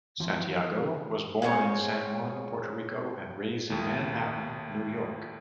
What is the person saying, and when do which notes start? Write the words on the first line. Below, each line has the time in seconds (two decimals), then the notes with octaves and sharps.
Santiago was born in San Juan, Puerto Rico and raised in Manhattan, New York.
0.20 E3 F3
1.42 G#3 C4 C#4 C#5
3.70 D#2 A2